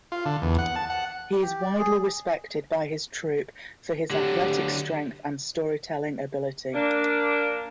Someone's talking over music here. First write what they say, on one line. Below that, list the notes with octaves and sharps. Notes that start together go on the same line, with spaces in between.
He is widely respected by his troop for his athletic strength and storytelling ability.
F4
D3
E2
F#5
A5
F#5
G4
D5
G#4
D3 F#3 G4
A#3 D4